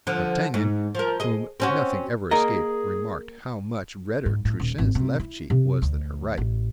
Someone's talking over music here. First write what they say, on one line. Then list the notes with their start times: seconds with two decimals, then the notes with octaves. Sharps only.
D'Artagnan, whom nothing ever escaped, remarked how much redder Truchen's left cheek was than her right.
0.07 D3 F3
0.54 G#2
0.95 F3 A#4
1.20 G#4 D#5
1.60 C4 C#4 F#4
2.31 A#3 G#4 A#4 D#5 A#5
4.26 G#2
4.45 A2
4.60 D#1
4.78 G#1
4.95 C3
5.19 E4
5.50 C3
5.82 D2
6.38 A1